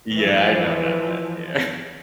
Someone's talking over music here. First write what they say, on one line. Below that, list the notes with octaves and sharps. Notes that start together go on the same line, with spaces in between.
Yeah, I know, not that, yeah.
E3 F3